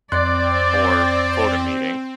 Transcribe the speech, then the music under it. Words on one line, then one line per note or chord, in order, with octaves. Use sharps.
or quota meeting.
F2 C4 D5 C6 F#6